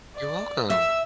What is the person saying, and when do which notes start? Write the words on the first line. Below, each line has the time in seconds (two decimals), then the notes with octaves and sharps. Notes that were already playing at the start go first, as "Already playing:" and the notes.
You're welcome.
0.17 D5
0.70 E5 E6